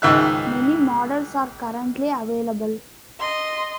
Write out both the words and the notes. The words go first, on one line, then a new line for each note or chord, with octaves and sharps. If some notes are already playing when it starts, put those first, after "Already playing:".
Many models are currently available.
C#2 G#2 D#3 E5 E6 F#6
D#5 C6